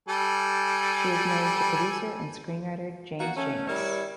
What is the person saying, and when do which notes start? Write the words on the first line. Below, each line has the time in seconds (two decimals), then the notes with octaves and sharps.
She is married to producer and screenwriter James Schamus.
0.08 G3 A4 G#5
3.19 A#3 B3 F#4
3.37 A3 C#4
3.68 G3 E4 A#4 C#5